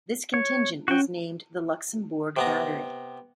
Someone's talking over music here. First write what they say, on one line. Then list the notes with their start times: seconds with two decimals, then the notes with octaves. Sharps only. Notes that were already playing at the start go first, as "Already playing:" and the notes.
This contingent was named the Luxembourg Battery.
0.34 C#5
0.88 C#4 F#4 G5
2.37 C3 B3 A#5